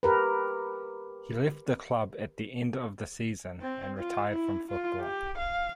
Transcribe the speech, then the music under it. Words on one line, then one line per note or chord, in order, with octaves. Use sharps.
He left the club at the end of the season and retired from football.
G4 A#4 B4
C4
F4
E4
F4
G4
F5